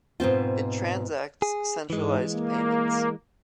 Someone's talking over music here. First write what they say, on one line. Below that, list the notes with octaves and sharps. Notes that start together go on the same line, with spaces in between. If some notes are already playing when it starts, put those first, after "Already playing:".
It transacts centralized payments.
G#2 B2 C4 F4
G#4
G#2 E3 G#3
A#3